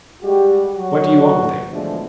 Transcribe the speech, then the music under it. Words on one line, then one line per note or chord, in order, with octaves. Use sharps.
"What do you want with him?"
G3 G#3 F#4 G4
F#3 F#4
B2 D3 E3 F3 G#3 A3